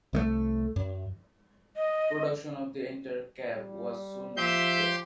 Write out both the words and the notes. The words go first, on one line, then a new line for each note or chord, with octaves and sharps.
Production of the entire cab was soon moved there.
C2 G#3 A3
F#2
D#5
G3
F3 G4 E5 C6 G6